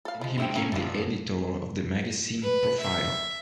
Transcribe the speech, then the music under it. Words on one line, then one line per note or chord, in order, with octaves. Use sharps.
Then he became the editor of the magazine "Profile".
A4 F5
F3 G#3
G#3 D4 C5 E5 G5
A#3 C#4 A4 A#4
F#2 D3 A3 D4 F4
B4
E5